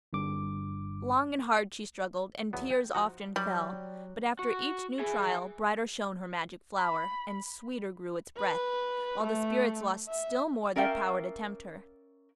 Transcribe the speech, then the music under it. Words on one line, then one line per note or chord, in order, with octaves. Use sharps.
Long and hard she struggled, and tears often fell; but after each new trial, brighter shone her magic flower, and sweeter grew its breath, while the spirits lost still more their power to tempt her.
G1 G2 D6
E2 F#3 B3
G5
F3 D#4 F#4
F#3 G3
F#4
G#4 E5 G#5
B5
B4
A3
E5
C#4 A#4 D5 E5 F5 G5